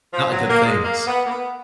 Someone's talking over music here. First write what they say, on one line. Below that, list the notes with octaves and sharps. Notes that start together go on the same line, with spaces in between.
not good things,
F3
F#3
A#3
G#3
A#3
B3
A#3
B3